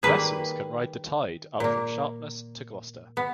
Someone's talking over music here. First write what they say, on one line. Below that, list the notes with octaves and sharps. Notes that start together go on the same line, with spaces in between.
Vessels can ride the tide up from Sharpness to Gloucester.
D#3 G3 A#3 G#4 B4
A#2 A#3
B3